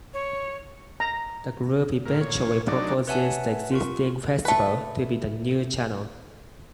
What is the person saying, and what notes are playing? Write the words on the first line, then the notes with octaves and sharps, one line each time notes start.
The group eventually proposes the existing "Festival" to be the "new" channel.
C#5
A#5
A2 A#4
A#2 C#5
F#3 D4 D#4 D5
B4 C#5 E5 F#5 G#5 A5
F4 A#4 C#6
A3 B4